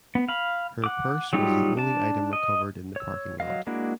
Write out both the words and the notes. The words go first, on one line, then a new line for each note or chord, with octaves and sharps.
Her purse was the only item recovered in the parking lot.
B3
F5 B5
F#5 D6
F#3 G3 D#4 F4 G4
D4 A5
D#5
C#5 E6
F#3 D#5 F5
G#3 A#3 D4 E4 F#4